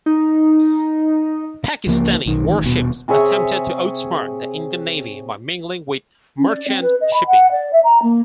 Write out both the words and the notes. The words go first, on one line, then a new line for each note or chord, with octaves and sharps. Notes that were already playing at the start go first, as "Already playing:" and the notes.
Pakistani warships attempted to outsmart the Indian Navy by mingling with merchant shipping.
D#4
C#2 F3 A#3
B1 D#3
A1 D#3
D#1 B2
C3 G#4 C#5 E5
C#4
D5
C4
B4
D#5
B5
F#5
D5
E5
A#5
A#3